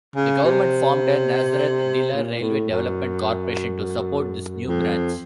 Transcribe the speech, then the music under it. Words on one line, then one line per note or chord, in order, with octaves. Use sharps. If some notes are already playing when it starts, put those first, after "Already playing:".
The government formed a Nazareth-Dilla Railway Development Corporation to support this new branch.
C#3
C3
A#2
A2
F#2
F2